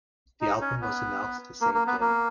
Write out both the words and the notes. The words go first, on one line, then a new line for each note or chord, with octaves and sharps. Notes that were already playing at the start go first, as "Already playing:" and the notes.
The album was announced the same day.
D#4
C#4
B3
A#3
A#3
B3
A#3